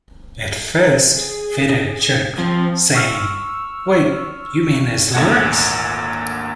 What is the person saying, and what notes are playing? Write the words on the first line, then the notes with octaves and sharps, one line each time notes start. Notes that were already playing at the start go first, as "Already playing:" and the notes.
At first, Vedder joked, saying, Wait...you mean there's lyrics?
G#4
F3 C4
C#6 E6 F6
G#1 D2 A#2 A4 F#5 G#6